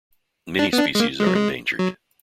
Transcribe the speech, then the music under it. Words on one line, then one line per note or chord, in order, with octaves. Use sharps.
Many species are endangered.
D4
B3
D4
G#3
A#3
G#3
F#3
G#3
F#3